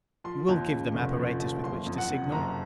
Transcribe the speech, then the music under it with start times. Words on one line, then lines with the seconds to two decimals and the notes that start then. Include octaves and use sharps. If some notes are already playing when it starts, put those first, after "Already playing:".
"You will give them apparatus with which to signal?"
0.24 F3 C6
0.48 D#2
0.71 C#3
0.94 F1
1.17 F3
1.40 D#2
1.63 F#1 C6
1.86 F2
1.98 F#5
2.10 C3
2.32 F#1 A#5